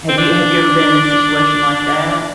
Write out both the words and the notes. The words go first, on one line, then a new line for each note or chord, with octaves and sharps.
Have you have you ever been in a situation like that?
C4
D4